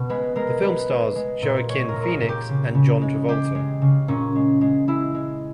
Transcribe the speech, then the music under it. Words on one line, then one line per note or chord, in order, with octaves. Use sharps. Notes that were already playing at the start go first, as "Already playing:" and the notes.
The film stars Joaquin Phoenix and John Travolta.
Already playing: B2
G#3 B4
G#3 A#4
G#3 B4
G#3
G#3
A#2
G#3 C#5
A#4
A#2
G#4 A#4
A#2
G4
C#3
C#3
G#3
G#3 G4
G#3
C#3
A#2 C#4
G#3
G#3
G#3 E4
G#3